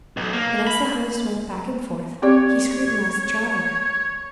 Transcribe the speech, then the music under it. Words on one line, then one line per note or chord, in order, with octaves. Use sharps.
But as the host went back and forth, he scrutinized the traveller.
B1
A#3
B5
C4 G4 C#5 D5